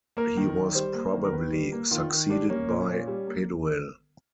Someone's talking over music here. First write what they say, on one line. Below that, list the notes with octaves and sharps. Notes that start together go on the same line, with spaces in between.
He was probably succeeded by Peduel.
A#3 A#4
D#3
D#3
G3 C5
A#3
D#3
A#4
D#3 B4
G3
A#3
D#3 F4
D#3
G3 D4
A#3 C#4
A#2
A#2
G3
A#3